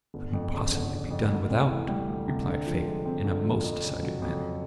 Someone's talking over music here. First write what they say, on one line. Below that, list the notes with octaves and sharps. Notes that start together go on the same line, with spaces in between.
'It couldn't possibly be done without,' replied Fagin, in a most decided manner.
G1
F2
C#3
G1
G1
F2
D2
C3
E3
G3
D2
C3
D3
F3
G#3
C4
D3
F3
F2
C#3
F#3
F2